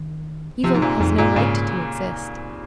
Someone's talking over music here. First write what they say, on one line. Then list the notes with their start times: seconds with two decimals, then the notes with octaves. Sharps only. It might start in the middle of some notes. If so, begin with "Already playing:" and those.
Evil has no right to exist.
Already playing: D#3
0.64 C3 F3
0.74 G#2
0.82 A#2
1.00 F2 G#2
1.18 G2 A#2
1.36 G#2 C#3